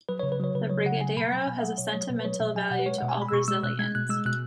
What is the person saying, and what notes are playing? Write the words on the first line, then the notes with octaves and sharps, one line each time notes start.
The brigadeiro has a sentimental value to all Brazilians.
F#3 B4
C#5
C#3
B4
F#3 C#5
C#3 B4
F#3 C#5
C#3 F#5
F#3 G#5
B2 B5
F#3 B5
B2 G#5
E5
F#3 F#5
B2 C#5
F#3 C#5
B2 B4
B4
F#3 C#5
B2 E5
F#3 G#5
B2 F#5
B4
G#3 C#5
F#5
B2
G#5
G#3 B5
E6
B2 C#6
G#3 E6
B2 F#6
G#3 G#6
B2 F#6
G#3 E6
B2 F#6